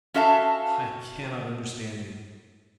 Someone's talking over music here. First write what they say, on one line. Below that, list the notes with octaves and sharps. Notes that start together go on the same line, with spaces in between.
"I cannot understand you!"
C#4 F#4 A4 E5 F5 A5